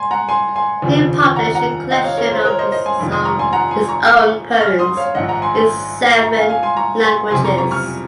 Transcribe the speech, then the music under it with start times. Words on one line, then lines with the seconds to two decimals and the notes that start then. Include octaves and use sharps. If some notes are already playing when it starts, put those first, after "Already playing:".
He published a collection of his own poems in seven languages.
Already playing: G#5 C6
0.11 F#5 A#5
0.29 G#5 C6
0.56 G#5 C6
0.82 F1 D#2 C#3 F3
1.36 F#5 A#5
1.55 F#5 A#5
1.90 D#5 F#5
2.04 C#5 F5
2.18 A#4 C#5
2.31 C5
2.45 A#4 C#5
2.59 C5 D#5
2.72 C5 D#5
2.85 G#5 C6
2.99 F1 F2 D#3
3.12 C6 D#6
3.25 A#5 C#6
3.39 G#5 C6
3.53 F#5 A#5
3.71 G#5 C6
3.89 A#5 C#6
4.61 C#6 F6
4.79 C6 D#6
4.97 C#5 F5
5.15 A#1 G#2 D#3 D#5 F#5
5.28 F#5 A#5
5.42 G#5 C6
5.55 G#5 C6
6.23 A#5 C#6
6.36 F5 G#5
6.50 F5 G#5
6.63 G#5 C6
6.77 A#5 C#6
7.04 G#5 C6
7.31 F#1 F2 C3 G#5 C6
7.44 A#5 C#6
7.58 A#5 C#6
7.71 C#6 F6